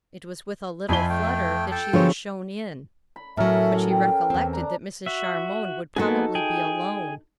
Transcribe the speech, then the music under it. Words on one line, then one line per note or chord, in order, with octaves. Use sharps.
It was with a little flutter that she was shown in; but she recollected that Mrs. Charmond would probably be alone.
F2 F3 E5 G#5 B5 G7
A3 G5
A4 G5 A5
D3 F3 F#3 B3 G#4 C#5
B5
A2 F#3 C#4 A4 A#4 E5
G5
E2 C4
D4 A#5
F#4 E5
A#3 B3 D#4 F#4 G#4 A4
G#4 G5